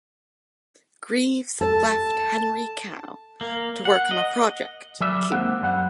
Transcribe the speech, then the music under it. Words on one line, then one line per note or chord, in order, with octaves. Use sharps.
Greaves left Henry Cow to work on a project, Kew.
A4 A5
A#3
F#5
D#5
F#3 G3 D5 E5
D#2 G#3 A#3 C4 F#5
F#2 G3 F#5